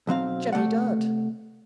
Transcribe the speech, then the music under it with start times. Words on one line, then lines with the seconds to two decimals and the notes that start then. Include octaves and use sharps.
"Jemmy Dadd."
0.07 B1 F#3 C4 F5
0.53 C3 A3 D5 F#5